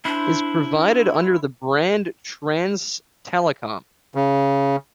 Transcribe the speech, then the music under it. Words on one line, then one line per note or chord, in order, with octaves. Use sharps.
Is provided under the brand Transtelecom.
D4 E4 C5
C#3